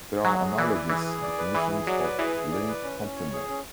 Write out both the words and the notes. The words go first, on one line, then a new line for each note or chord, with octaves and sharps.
There are analogous definitions of link complement.
F#3 G#4
G#4
E3 D5
B4
E3 G#4
G#4
D5
B4
E3 G#4
G#4
F#3 D5
B4
E3 G#4
G#4
D5
B4
C#4
C#4
C#5
G#4
C#4